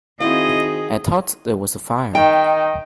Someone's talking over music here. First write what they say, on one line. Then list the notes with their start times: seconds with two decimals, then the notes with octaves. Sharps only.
I thought there was a fire.
0.20 D#3 C4 E4 F#4 G#4 D#5 F5
2.15 D#3 D#5 G5